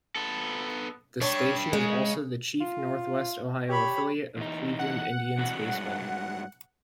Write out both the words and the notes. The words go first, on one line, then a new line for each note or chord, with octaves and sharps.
The station is also the chief Northwest Ohio affiliate of Cleveland Indians baseball.
B3 A4
G3 D4 C#5
C#3 G#3
F4
G4 C#5 B5
E2 D#4
F#5
E2 C3 F#4
G2 F#3 G#3